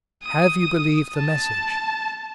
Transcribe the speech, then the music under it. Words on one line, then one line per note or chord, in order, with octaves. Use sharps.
Have you believed the message?
D#6
A5